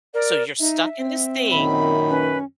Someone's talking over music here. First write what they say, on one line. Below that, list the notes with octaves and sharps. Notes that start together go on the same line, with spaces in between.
So you're stuck in this thing
A#4 D5
D#4 E5
C4
F#2 A#2 D#3 B5
C#4 B4